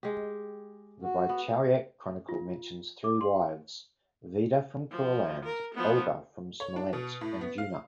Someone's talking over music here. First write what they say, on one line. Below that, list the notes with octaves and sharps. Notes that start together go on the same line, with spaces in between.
The Bychowiec Chronicle mentions three wives: Vida from Courland, Olga from Smolensk, and Jewna.
G#3 G4
F#4
B3
F4
D6
C6
F3
A#4
F3 B3
C#5
D4
B2
A2
B3
F5